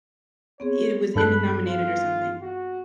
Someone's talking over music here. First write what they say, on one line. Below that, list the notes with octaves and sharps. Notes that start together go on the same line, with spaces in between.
It was Emmy nominated or something,
B3 C4 G#4 C#5
G2 A4 B5 F#6
F4
F#4